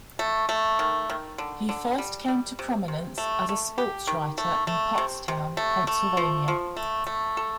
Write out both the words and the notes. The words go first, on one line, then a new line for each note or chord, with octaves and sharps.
He first came to prominence as a sportswriter in Pottstown, Pennsylvania.
A3
A3
D#3
D#3
D3
D3
G3
G3
C3
C3
A3
A3
G4
D#3
A3
A3
C3
C3
A3
A3
F3
F3
A3
A3
A4